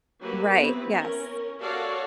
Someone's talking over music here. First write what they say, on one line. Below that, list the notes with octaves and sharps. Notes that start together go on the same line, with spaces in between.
Right, yes.
F#3 A#3 F#4 G4 B4
B3 C4 E4 B4
C#4 A#4
F#4 A4 C#5 D5 F5 F#5